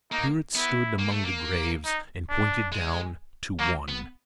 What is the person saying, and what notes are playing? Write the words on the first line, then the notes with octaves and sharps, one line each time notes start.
The Spirit stood among the graves, and pointed down to One.
A#3 D#4
B3 E4
A#3
A3
A#3
D#4
D4
G#3
F#3 A#3
B3